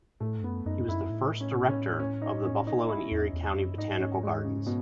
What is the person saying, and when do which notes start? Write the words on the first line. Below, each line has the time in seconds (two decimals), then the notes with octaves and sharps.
He was the first director of the Buffalo and Erie County Botanical Gardens.
0.20 A2 A3
0.38 G#2
0.43 F#2 B3
0.66 F#2 D#4
0.88 F#2 E4
1.10 A2
1.40 C#4
1.69 C#4
2.00 C#4
2.22 D#4
2.45 C#4
2.67 D#4
2.89 E4
3.11 E2
3.33 E2
3.55 F#2
3.78 G#2 D#4
4.00 C#4
4.23 G#3
4.44 C#3
4.67 B2